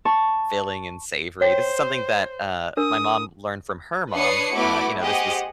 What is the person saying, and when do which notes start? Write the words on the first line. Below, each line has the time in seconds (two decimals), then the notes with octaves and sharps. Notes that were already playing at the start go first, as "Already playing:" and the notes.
filling and savory. This is something that, uh, my mom learned from her mom, uh, you know, this was,
0.05 A5 C#6
1.41 C5 C#5 F#5 G5
2.77 D4 A#4 D#6
4.14 D4 B4 C#5 D#6 C7 C#7
4.53 A3 B3 E4 F#4 D6
5.01 G4 G#4 C5 D#5 F#5